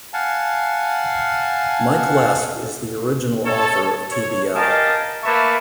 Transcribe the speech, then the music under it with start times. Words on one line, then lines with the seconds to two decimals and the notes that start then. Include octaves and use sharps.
Mike Lesk is the original author of tbl.
0.13 F5 F#5 G#5 A5
3.45 A4 C#5 A5
4.10 C#5
4.55 G4 A#4 D#5 F5 G#5 A5
5.24 A3 A#3 B4 E5 A5 C#6